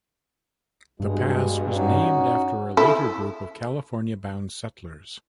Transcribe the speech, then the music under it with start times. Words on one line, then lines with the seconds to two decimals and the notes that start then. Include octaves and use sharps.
The pass was named after a later group of California-bound settlers.
1.00 G2 B2 G#3
1.74 C#4 D#4 F#4
2.77 E4 A4